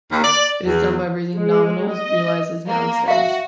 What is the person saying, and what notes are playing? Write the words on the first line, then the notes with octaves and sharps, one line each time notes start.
It is done by raising nominals realized as noun stems.
D#2
D5
E2
G#3
D#5
A#3
F#4 E5 F5